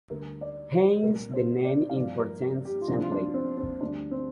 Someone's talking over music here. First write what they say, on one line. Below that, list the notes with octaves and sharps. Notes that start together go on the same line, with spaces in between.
Hence the name importance sampling.
D2 D3 G3 A#4
D5
C5
C2 A#2 G3 A#4
C5
D5
F5
G2 F3 D5
A#4
G4
F4
C2 C3 F3 D4
F4
D4
C4
C4
D2 D3 G3 D4
C4